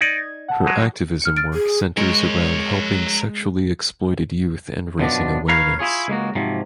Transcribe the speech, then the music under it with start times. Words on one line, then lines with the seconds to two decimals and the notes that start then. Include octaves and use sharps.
Her activism work centres around helping sexually exploited youth and raising awareness.
0.01 D#4 D5 G#6
0.48 F#5 A5
0.67 F#3 G#3
1.22 F6 C#7
1.37 F6 A6 D7
1.54 G#4
1.97 G#3 A#4 C#5
4.99 F#2 B2 F3 D4
5.48 A#4 B4 C#5 F5
5.79 E4 F4 G#4 C#5
6.08 C#2 G#3 A#3 F#4
6.35 G#2 C3 F3 F#3